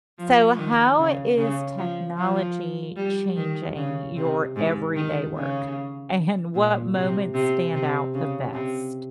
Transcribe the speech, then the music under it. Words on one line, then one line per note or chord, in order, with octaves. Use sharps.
So how is technology changing your everyday work? And what moments stand out the best?
F3
D#3
C#3
C#3
F3
F3
G3
D#3
C#3
C3
G#2
D#3
C#3
A#2
C3
C3
C3
C#3
C3